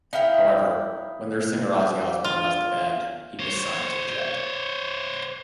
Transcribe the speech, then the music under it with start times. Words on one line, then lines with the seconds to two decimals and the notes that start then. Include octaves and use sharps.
However, when their singer Ozzy Osbourne left the band, he was signed to Jet.
0.13 D#4 E4 F5 G5
2.24 F4
3.40 C5 C#5